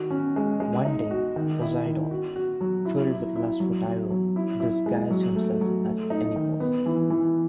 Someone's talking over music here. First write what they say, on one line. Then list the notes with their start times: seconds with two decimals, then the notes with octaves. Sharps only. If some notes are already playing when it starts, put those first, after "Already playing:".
One day, Poseidon, filled with lust for Tyro, disguised himself as Enipeus.
Already playing: D#3 F#4
0.10 C#4
0.36 G#3
0.60 G#3
0.85 D#4
1.11 F#4
1.36 D#3
1.61 E4
1.86 D#3
2.11 F#4
2.36 F#4
2.61 F#3
2.85 E4
3.11 E4
3.36 E4
3.60 F#3
3.86 F#3
4.10 F#3
4.36 E4
4.60 E4
4.86 G#3
5.10 F#3
5.36 A3
5.61 F#3
5.85 A3
6.10 D#4
6.36 D#3
6.60 B3
6.86 E3
7.10 E3